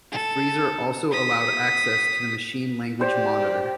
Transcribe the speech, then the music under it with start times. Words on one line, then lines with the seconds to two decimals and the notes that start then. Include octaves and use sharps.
The freezer also allowed access to the machine-language monitor.
0.12 A4
1.12 D#6 B6
3.01 G4 C5 D5